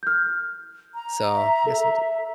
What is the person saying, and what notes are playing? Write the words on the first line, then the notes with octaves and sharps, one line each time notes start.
So, yes, I'm doing work
F6 G6
A#5
E5
A4